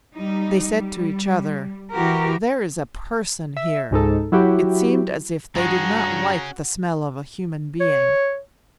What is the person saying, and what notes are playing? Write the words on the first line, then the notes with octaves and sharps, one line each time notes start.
They said to each other, "There is a person here"; it seemed as if they did not like the smell of a human being.
G3 D#4
G3
E3 F#4 G4 A#4
E5
C#2 G#2 D#4 A4
F#3 E4 F#4 G4
G2 C#4 F#4 G#4 A#5
C#5